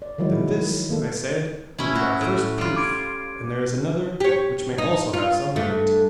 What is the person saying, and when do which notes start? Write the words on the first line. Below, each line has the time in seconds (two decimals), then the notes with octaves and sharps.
Then this, I said, will be our first proof; and there is another, which may also have some weight.
0.02 D5
0.18 D#3 F3 F#3 G#3 E4
0.89 D#3 A#3 A4
1.78 C#4 E4
1.95 F#4
2.21 A2
2.58 G3 F4
2.76 D6 G#6 D7
4.20 G4 C#5
4.78 D#4
5.13 F4
5.56 G2 A3